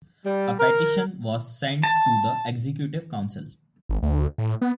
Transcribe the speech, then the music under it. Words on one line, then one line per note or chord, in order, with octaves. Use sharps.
A petition was sent to the Executive Council.
G3
A#4
A5
G#1
D2
A2
B3